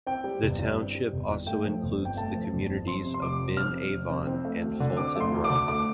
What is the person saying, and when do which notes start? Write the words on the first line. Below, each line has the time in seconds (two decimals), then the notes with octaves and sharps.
The township also includes the communities of Ben Avon and Fulton Run.
0.07 C4 G5
0.24 G3
0.43 G1
0.59 G2
0.78 C4
0.95 G3
1.13 G1
1.30 G2
1.47 A3 G5
1.65 F3
1.83 G1
2.00 F2
2.05 G5
2.17 A3 A5
2.35 F3
2.53 G1
2.70 F2
2.87 F3 C6
3.04 C3
3.14 C6
3.22 F1 D6
3.40 F2
3.57 F3 F6
3.74 C3
3.92 F1
4.10 F2
4.27 C4
4.45 A3
4.63 D2
4.80 D3
4.97 C4 D6
5.16 A3 C6
5.32 D2
5.44 D6
5.50 D3
5.68 A3 D6